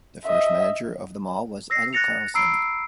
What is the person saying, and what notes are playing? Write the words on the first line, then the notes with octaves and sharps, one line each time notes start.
The first manager of the mall was Eddo Carlson.
D#5 E5
E6 A#6 C7
F#6 A6 A#6 C#7 F7
A#5 B5 E6 C7 D7